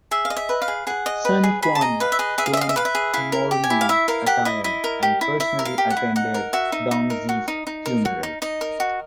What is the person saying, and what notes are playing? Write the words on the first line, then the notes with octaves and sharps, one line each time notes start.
Sun Quan donned mourning attire and personally attended Dong Xi's funeral.
G#4 E5
F5
D#5
E5
B4
F5
G#4
G#4 F#5
D#5
B4
G#4
G#4 B5
A5
D#5 A#5
B4 F5
E5
G#4 D#5
G#4 E5
F5
E5
D#5 F5
E5
B4 F5
E5
G#4
E4 F5
A#4
G4
G#5
E4
F5
E4 E5
A#4 F5
G4 F#5
E4 D#5
E4 D#5
A#4
G4
E4
E4 E5
A#4
F5
G4
F#5
E4
D#4 F#5
A#4
F#4 E5
D#4
D#4
A#4
F#4
D#4
D#4
A#4
F#4
D#4
D#4 D#5
A#4
F#4